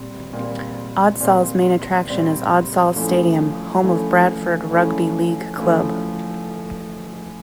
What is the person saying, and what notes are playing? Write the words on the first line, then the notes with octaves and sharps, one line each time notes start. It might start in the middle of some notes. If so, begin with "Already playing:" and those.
Odsal's main attraction is Odsal Stadium, home of Bradford rugby league club.
Already playing: A#2 G3 C4
A#2 G3 C4
A#2 G3 C4
A#2 G3 C4
F3 A3 C#4 E4
F3 A3 C#4 E4
F3 A3 C#4 E4
F3 A3 C#4 E4